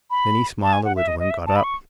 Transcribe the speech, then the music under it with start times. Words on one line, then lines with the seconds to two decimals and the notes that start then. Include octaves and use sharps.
Then he smiled a little and got up.
0.11 B5
0.63 A5
0.73 G#5
0.84 F#5
0.96 E5
1.08 D#5
1.19 D#5
1.30 E5
1.47 A5
1.56 B5
1.64 C#6